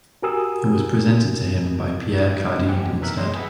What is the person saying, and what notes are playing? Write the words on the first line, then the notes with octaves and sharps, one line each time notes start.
It was presented to him by Pierre Cardin instead.
F#4 G4 A#4 G#5 D#6 E6
A1 F3 G4 F#5 G#5
F2 B2
D#2 E3 A#4 E5 F#6
E2 A2 D#5 C6
G#4 B4 E5 F#5